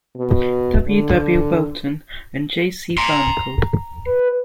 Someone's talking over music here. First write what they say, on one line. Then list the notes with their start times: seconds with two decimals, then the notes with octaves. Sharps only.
W. W. Bolton and J. C. Barnacle.
0.17 B2
0.88 D3
2.98 A#5 C6
4.06 B4